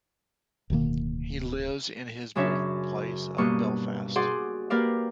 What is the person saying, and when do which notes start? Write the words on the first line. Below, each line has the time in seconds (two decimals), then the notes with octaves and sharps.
He lives in his birthplace of Belfast.
0.70 D1 B2 D#3 A#3
2.35 F#2 C#3 C#4 D4 C#5 E5
3.38 G2 B2 A#3 C#6 D#6
4.16 F#4 G#4 D5 F#5 C6 G6
4.70 A#3 G4 A#4 B4 D5 F5